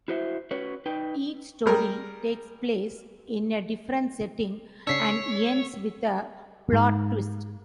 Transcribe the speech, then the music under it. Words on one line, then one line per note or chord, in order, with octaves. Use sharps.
Each story takes place in a different setting and ends with a plot twist.
E4 F#4 C5 D#5 E5
C#4 F#4 B4 C#5
D#4 B4 G5
G3 G#4 A#4
C#3 D4 C#5 E6 B6 C7
G#2